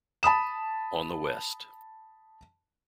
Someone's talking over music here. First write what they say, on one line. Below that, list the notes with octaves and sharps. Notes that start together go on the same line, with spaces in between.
On the West.
A5 B5 D#6 E7